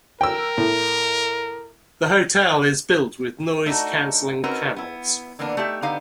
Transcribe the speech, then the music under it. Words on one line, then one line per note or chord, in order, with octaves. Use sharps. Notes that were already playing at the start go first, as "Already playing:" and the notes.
The hotel is built with noise canceling panels.
A#4 G5 E6
A2
A3 D4 D#4 F#4
C4 C#4 D#4 F#4 A#4 B4
B3 E4
D3 E3 A#3 B3 D4
A3 D#4 G4 E5
D3 B3 D#4 G4 F5